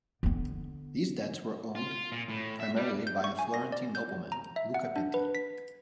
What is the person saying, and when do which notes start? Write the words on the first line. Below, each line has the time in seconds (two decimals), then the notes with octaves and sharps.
These debts were owed primarily by a Florentine nobleman, Luca Pitti.
0.23 D3 B3
1.75 F4
2.12 A#2
2.29 A2
2.60 E5
2.76 G3
3.07 G6
3.24 C#6
3.39 G#5
3.54 A#6
3.72 D5
3.95 G6
4.32 A#5
4.56 E5
4.74 F#5
4.96 D4
5.14 B4
5.35 B6